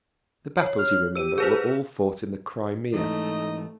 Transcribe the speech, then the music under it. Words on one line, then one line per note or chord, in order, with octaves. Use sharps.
The battles, you remember, were all fought in the Crimea.
C#5
F6
G4 E6 D#7
G#4 B4 C5
G#2 E3 A3 D#4 D#5